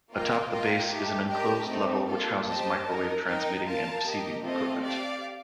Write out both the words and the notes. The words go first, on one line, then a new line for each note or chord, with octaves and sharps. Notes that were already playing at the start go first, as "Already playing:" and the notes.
Atop the base is an enclosed level which houses microwave transmitting and receiving equipment.
A#3 F4 A#4 D#5 G5
F4 A#4 D#5 G5
A3 D#4 G4
D4 G4 A#4 D#5 G5
A3 C4 D#4
A#3 F4 A4
G4 C5 D#5 A5
D#4 A#4 D#5
D#4 A#4 D#5 G5
F4 A#4 F5 A5
G4 A#4 D#5
A3 C4 F4 A4 D#5
G4 D5 F5